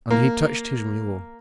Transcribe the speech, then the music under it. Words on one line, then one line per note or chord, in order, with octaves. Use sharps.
And he touched his mule.
A#3